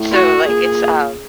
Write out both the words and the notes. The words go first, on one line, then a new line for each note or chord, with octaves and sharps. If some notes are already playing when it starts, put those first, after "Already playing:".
So like it's, um,
Already playing: A2
F#4
A#2 G#4